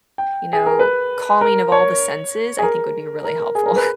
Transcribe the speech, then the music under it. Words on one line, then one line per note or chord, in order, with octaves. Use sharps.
you know, calming of all the senses, I think would be really helpful.
G5
G#4
A#4
B4
A#4
C#5
G#4
A#4
A#4
A#4
G#4
A#4
B4